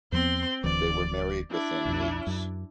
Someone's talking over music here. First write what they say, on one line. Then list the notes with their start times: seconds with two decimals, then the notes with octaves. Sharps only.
They were married within weeks.
0.12 E2 F3 B3 C4 C6
0.64 D1 D2 E3 D5
1.51 D4 E4
1.85 B1 F2
2.27 F#2